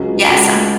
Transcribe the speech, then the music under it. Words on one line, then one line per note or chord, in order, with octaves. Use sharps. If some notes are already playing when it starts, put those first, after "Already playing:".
Yes, I'm
Already playing: C#2 C#3 F#3 F4 G#4
C#2 C#3 G#3 F#4